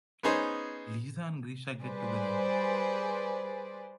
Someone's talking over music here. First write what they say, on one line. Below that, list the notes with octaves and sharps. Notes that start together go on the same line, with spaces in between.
Liza and Grisha get together.
B3 C#4 D#4 G#4 C5
G3 G#4 B4 C5 D5